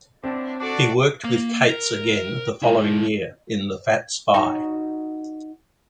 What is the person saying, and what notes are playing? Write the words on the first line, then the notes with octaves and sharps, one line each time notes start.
He worked with Cates again the following year in "The Fat Spy".
A2 D3 C4 D4
D4 F#4 A4 D5
A#3 F5
A#4
G#3 E4
D#4 F#4